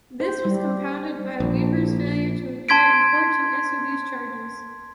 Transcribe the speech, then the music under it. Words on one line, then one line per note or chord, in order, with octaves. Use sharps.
This was compounded by Weaver's failure to appear in court to answer these charges.
C5
G3
A#1
A5 C6 G#6 B6 D7